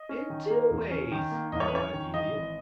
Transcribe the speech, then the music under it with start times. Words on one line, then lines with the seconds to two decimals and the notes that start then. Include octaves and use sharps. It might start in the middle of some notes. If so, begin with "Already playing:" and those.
"In two ways," replied the Idiot.
Already playing: D#5
0.09 C#4
0.30 D#3
0.50 A#3
0.71 E2
0.91 C#4
1.12 D#3
1.32 A#3
1.52 E2 D#5
1.60 C#5
1.68 B4
1.73 C#4 C#5
1.93 D#3
2.14 E3 D#5
2.34 G#1